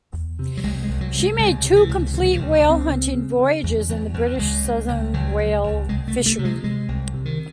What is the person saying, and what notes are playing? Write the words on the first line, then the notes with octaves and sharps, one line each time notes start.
She made two complete whale hunting voyages in the British Southern Whale Fishery.
E2
C3
F#3
C2 G#3
G#3
C2
F#3
C3
G#3
C#2 G#3
C3
E3
C#2
C3 E3
F#3
E3
C#2
C#2
C4
C#3
C#3
C#3
E2
E2
E2
C#2 G#3
C#2
C#2
C#2 F#3
C#2
C#2
C2 G#3
A3
C3
A3
C3
G#3
C3 G#3
C2
C3
D#3